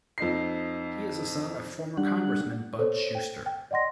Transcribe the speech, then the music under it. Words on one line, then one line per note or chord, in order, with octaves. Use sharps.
He is a son of former Congressman Bud Shuster.
F2 D#4 C7
G3 D4 F#5
A4 C5 C#5
G5
G5
D5 D#5 F#5 C6 A#6